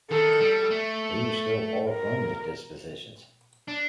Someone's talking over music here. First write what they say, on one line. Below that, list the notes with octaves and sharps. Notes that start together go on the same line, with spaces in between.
He was still far from his dispositions.
D#3 A4
G3
A3
A#4
D4